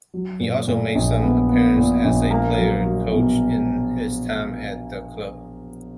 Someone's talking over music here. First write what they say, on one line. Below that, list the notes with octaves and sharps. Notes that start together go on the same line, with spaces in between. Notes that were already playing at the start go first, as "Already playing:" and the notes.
He also made some appearances as a player-coach in his time at the club.
F#3
A#2
A#2
A#1
B3
B3
A#2
A#1
A#3
F#3
F#3
B2